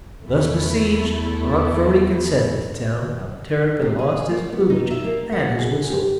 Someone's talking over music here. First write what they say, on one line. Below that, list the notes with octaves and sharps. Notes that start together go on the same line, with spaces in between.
Thus besieged, Aunt 'Phrony consented to tell how the Terrapin lost his plumage and his whistle.
E2 A3 E4
C3
G#4
A#3
B3
D#4
E5
A#3
F#5
G#4
G4